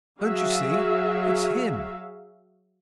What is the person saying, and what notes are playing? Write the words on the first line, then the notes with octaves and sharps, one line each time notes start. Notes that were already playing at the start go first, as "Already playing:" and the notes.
"Don't you see? It's him!"
F#3 F#4 G#4 E5 F5